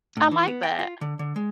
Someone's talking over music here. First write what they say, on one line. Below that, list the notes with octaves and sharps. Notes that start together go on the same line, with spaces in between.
I like that.
A2
E3
B3
G5
F4
D3
D3
G#3